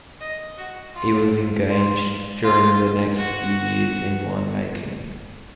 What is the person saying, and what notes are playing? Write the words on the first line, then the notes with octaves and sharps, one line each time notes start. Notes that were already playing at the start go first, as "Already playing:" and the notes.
He was engaged during the next few years in wine-making.
D#5
F#4
F4
F4
F4
F#4